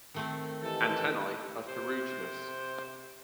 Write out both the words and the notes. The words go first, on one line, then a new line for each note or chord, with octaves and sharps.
Antennae are ferruginous.
D#3 A3 C4
E3 G4 A4 D#5
C3 C5